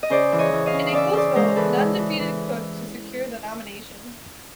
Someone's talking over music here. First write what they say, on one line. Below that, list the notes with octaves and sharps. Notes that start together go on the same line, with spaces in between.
In a close vote, Nunn defeated Cook to secure the nomination.
D#5
C#3 C5 D5
E3
C#5 D#5
E3
D#5 F5
C#3
C#3 D5 E5
C#3 C5 D5
G#3 A#4 C5
E3 A4 B4
G#3
E3
E3